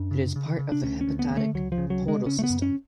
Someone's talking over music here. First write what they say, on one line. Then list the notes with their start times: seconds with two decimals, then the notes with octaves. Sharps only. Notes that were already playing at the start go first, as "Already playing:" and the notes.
It is part of the hepatic portal system.
Already playing: F#2 D4
0.11 C#3
0.36 C#3
0.59 C#3
0.72 D4
0.83 D2 C#4
1.01 C#4
1.07 D2
1.19 B3
1.30 D3
1.37 A3
1.54 C#2 F#3
1.72 F3
1.78 C#3
1.90 F#3
2.02 C#3
2.08 G#3
2.26 C#3 C#4
2.39 A3
2.44 B3
2.50 F#2
2.62 C#4